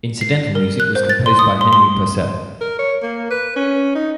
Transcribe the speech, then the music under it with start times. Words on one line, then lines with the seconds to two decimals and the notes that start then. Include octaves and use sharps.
Incidental music was composed by Henry Purcell.
0.21 C7
0.55 A#4
0.80 F#6
0.95 C5
1.09 A6
1.26 C6
1.39 D#6
1.61 C6
1.73 C6
2.61 A#4
2.79 C#5
3.03 A#3
3.31 B4
3.56 C#4
3.95 D#4